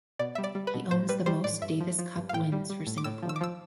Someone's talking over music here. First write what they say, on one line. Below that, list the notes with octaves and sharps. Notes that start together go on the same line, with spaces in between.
He owns the most Davis Cup wins for Singapore.
B2 D5
G3 E5
D5
G3
B4
B2
A2 C5
G3 B4
G3 C5
A2 D5
G2 E5
F3
F3
G2
F5
A2 G5
G3
G3
A2
D6
A2 E6
F3
E6
D6
F3 E6